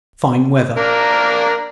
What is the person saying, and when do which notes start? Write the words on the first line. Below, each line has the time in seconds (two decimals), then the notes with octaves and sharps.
Fine weather.
0.77 A#3 D4 A#4